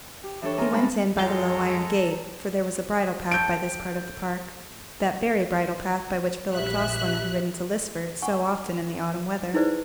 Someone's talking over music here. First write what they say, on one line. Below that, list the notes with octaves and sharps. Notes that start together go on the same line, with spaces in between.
He went in by the low iron gate, for there was a bridle-path by this part of the park--that very bridle-path by which Philip Jocelyn had ridden to Lisford so often in the autumn weather.
G4
E3 D4 G4 A4 C#5
D#4 G#4 A#4 A#5 C6
G2 C3 G#3 D#4 A5 B5
F2 G#3 F4 A4 C#5 F5 G5 A#5
A4 C#5 G5 G6 D7
A#1 G3 E5 F#6
F#5 G#5 C#6
D#4 E4 G#4 B4 C5 D5